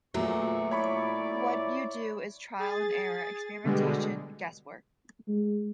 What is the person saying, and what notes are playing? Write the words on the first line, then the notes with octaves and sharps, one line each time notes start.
What you do is trial and error, experimentation, guesswork.
E2 A#2 F3 F#3 A3 F#4 C#6
E4 C#5 D5 B5 C#6
G#4 A6
B2 D3 G3 G#3
G#3